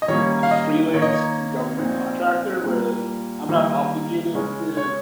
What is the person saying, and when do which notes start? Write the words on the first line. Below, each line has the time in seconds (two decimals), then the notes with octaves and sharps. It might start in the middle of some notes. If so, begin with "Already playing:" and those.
a freelance government contractor where, like, I'm not obligated to
0.02 D#5
0.08 D#3 G3 A#3 C#4 C#5
0.43 F5
0.51 D#5
0.93 D#3 A#3 D#4 C#5
1.02 D#5
1.10 C#5
1.79 A#2 F3 C4 D#4
2.64 A#2 G3 A#3
3.49 D#3 G3 A#3 D#4
4.34 C#3 G#3 C#4
4.77 C#5